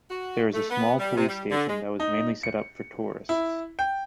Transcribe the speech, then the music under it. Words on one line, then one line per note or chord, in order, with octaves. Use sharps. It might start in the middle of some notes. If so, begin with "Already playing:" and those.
There is a small police station that was mainly set up for tourists.
F#4
A3
B3
G3
C3
G3
D3
G#3
D#4
C#7
E4
G5